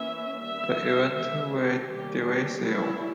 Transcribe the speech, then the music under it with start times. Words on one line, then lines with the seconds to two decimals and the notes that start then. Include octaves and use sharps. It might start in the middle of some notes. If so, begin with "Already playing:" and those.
The events were divisive.
Already playing: E3 A#3 C#4 E5
0.40 D#3 G3 B3 E5
1.14 D#3 G#3 B3 E5
1.52 G4
1.90 D#3 G3 A#3 C#4 G4
2.28 G4
2.64 G3 A#3 C#4 E4